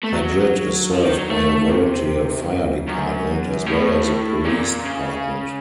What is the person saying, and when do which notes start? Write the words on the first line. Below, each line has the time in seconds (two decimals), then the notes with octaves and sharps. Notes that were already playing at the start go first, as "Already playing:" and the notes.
Madrid is served by a volunteer fire department, as well as a police department.
0.03 A3
0.12 F#3
0.91 F3
1.04 D#3
1.17 F#3
1.30 A3
1.69 C3
2.48 F2
2.88 F#2
3.66 A2
4.45 A#2
4.84 C#3